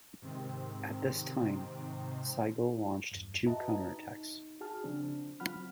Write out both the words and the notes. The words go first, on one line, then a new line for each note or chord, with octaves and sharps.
At this time, Sigel launched two counterattacks.
G#2 C3 D#3 C4
E2 G2
F#4 B4 D#5 E5 A5 A#5
D#4
F#4 G#4 A5 F6
C#3 F3 C4 D4
F#3 C4 F4 F#5 B5 F6